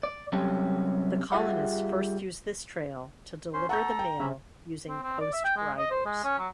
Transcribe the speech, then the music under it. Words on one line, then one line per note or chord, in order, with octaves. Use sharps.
The colonists first used this trail to deliver the mail using post riders.
D5
C3 F#3 G3 C#4 G4 A4
G3 F4 G#4 E5 F#5
C#4 C5 C6
A4 F#5 A#5 C#6 G6
G5
C#3 C#4 E5 B5
C4
C4
D5
E5
G5
G#3
D#5
C5
G#3
C#4
F#3